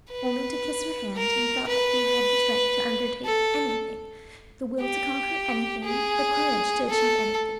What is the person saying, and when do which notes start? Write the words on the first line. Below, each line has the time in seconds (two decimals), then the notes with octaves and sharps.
Only to kiss her hand he felt that he had the strength to undertake anything, the will to conquer anything, the courage to achieve anything.
0.11 B4
1.16 A#4
1.68 B4
3.25 A4
4.81 G4
5.85 G#4
6.89 A4